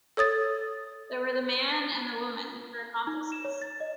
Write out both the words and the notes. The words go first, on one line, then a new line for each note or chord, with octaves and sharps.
There were the man and the woman, her accomplices.
A4 C#5 D#6 A6
D#4
E7
C#5
A6
D#5